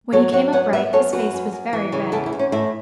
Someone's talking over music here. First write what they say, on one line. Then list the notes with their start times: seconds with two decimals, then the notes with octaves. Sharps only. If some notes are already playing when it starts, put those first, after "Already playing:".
When he came upright his face was very red.
0.12 F#3 A4 C#5
0.32 F#3 C#5 F#5
0.53 B3 C#5 F#5
0.73 B3 B4 E5
0.93 F#2 A4 C#5
1.12 F#2 F#4 B4
1.33 F#2
1.52 F#2
1.73 E3
1.92 C#3
2.12 E2 E4 A4
2.26 E4
2.32 E2
2.39 C#4
2.52 A2 E4